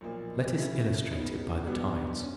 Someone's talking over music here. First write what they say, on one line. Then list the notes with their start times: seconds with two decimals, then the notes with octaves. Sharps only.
Let us illustrate it by the tides.
0.01 B1 A#2 F3 A#3
0.56 C#3 F#3 A#3 C#4 E4
1.11 C#3 F#3 B3 D#4
1.66 C2 B2 G3 B3 D4
2.21 C#4